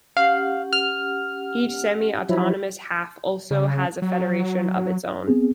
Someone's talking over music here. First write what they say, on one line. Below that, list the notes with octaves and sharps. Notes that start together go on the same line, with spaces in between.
Each semi-autonomous half also has a federation of its own.
C#4 G4 F5 F#5
F6
F3 F#3 E4
C#3
F#3
B3 C4 G#4